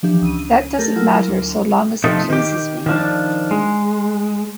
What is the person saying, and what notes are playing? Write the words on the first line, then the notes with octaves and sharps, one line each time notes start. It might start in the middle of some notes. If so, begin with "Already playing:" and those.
That doesn’t matter, so long as it pleases me.
E3 F3 D4 G4
C#2 D#7
A3 G4 A4 A#4
F#3 E4 F4 A#4
D2
C3 F3 A3 D#4
D#3 G4
D#3 F3 D4
G#3